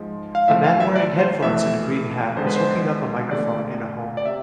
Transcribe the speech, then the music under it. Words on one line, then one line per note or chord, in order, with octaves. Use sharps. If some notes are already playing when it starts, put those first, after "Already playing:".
A man wearing headphones and a green hat is hooking up a microphone in a home.
Already playing: G#2 F3 G#3
F5
A2 F3 A3 E5
F5
E5
D5
C5
F2 E3 A3 E5
E2 D3 G#3 C5
B4
C5
E2 D3 A3 D5
D5
C3 E5